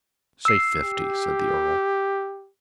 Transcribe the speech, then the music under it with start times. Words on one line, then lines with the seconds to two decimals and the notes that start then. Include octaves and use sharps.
"Say fifty," said the earl.
0.45 E6 C7
0.84 G4